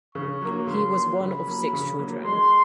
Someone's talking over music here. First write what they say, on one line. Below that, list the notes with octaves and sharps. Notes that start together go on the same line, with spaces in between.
He was one of six children.
C#3 C#6
F#3 A#3
C#3 C6
F#3 A#3
C#3 B5
F#3 A#3
C#3
F#3 A#3
G#3 C6